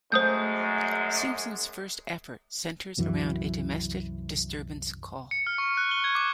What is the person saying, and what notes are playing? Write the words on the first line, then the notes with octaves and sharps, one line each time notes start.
Simpson's first effort centers around a domestic disturbance call.
F#2 G#3 A3 C5 D#6 G6
C2 F#2 E3 F#3
C#7
F6
C#6
F#6
G7
G#6
D6